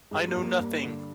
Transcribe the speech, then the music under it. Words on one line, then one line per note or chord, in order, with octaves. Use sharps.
I know nothing!
G2 G#3
A#3
G2
A#3
G2
D3